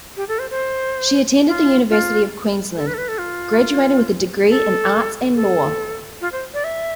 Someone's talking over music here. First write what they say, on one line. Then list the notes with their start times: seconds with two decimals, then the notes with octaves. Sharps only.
She attended the University of Queensland, graduating with a degree in arts and law.
0.17 G4
0.28 A4
0.39 C5
0.50 C5
1.47 F4
1.90 F4
2.76 A4
2.87 B4
2.94 A4
2.98 B4
3.08 A4
3.19 F4
4.49 A4
5.35 A4
6.21 F4
6.32 C5
6.54 D5
6.64 E5